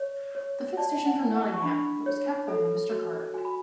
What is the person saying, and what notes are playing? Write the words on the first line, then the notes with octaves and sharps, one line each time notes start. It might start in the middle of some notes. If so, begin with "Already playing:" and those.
The fifth station from Nottingham, it was kept by a Mr. Carter.
Already playing: C#5 D5
C#5
D5 A5
G#5
F#5
E4
F#5
C#6
D4 B5
C#5
A4
F#4
F#4 G#5
B5